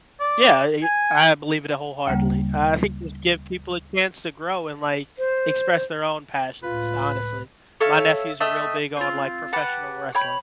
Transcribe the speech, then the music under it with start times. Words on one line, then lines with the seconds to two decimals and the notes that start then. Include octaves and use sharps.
Yeah. I e I believe it a wholeheartedly. Uh, I think just give people a chance to grow and, like, express their own passions, honestly. My nephew's a real big on, like, professional wrestling.
0.20 D5
0.83 G#5
2.07 D2 C#3 G3 A#3
5.18 C5
6.63 C#2 A2 F4 B4
7.81 A4 C#5 E5 F5
8.40 A3 D#5 E5 G5
8.97 C4 F4
9.53 G4 B4 F#5 A5
10.15 C#5 G5 B5 G6